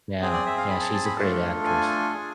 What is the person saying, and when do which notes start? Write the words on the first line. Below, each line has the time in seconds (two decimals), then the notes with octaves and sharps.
Yeah, yeah, she's a great actress.
0.21 C4 G#4
0.33 D5
0.46 E5
0.57 F5
0.69 B5
0.81 A5
0.94 A5
1.05 B5
1.17 A3 D4 F4 A4 A5
1.66 G#5
2.13 D4 F4 G#4